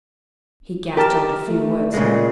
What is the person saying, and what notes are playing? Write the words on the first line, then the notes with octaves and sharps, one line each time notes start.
He gasped out a few words.
G4 A#4 A5
A3
A#2 C#3 G#3